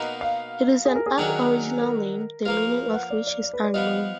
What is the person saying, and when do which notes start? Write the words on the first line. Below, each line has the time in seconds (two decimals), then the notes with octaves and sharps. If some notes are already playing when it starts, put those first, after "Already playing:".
It is an Aboriginal name, the meaning of which is unknown.
Already playing: B2 A#3 D#4 F#4
0.21 F5
0.85 G#4
0.95 A#4
1.06 G#4
1.18 D#3 F#3 D4 F#4 G#4
1.81 A#4
2.45 F3 A#3 F4 B4
2.67 G#4
2.78 A#4
2.86 B4
2.94 F#5
3.10 D5
3.27 D5
3.43 D5
3.54 B4
3.64 D5
3.74 F3 B3 F4 D#5